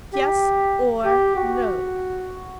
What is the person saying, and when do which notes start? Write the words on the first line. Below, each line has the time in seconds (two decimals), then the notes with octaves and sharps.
"Yes, or no?"
0.13 G4
1.05 G4
1.36 F#4